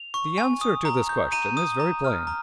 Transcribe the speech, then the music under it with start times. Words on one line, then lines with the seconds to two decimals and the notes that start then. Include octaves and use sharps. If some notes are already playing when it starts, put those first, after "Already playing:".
The answer to this question is very plain.
Already playing: F7
0.14 C#6
0.38 G#5
0.61 D#6
0.85 A#5
1.09 G6
1.32 A#5 D#7
1.57 D#6
1.80 A#5
2.04 F6
2.27 A#5